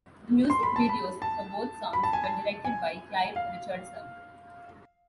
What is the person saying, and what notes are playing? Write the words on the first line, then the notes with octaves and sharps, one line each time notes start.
The music videos for both songs were directed by Clive Richardson.
C6
B5
A5
B5
A5
B5
A5
G#5
A5
G#5
F5